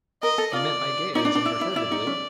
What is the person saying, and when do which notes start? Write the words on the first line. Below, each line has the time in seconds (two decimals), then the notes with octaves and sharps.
He met my gaze imperturbably.
0.23 A#4 D#5
0.38 A4
0.53 F4 D5
1.15 D#4 D5
1.25 D4
1.35 D4
1.46 E4
1.61 E4
1.76 E4 D5
1.92 D#4
2.07 C#4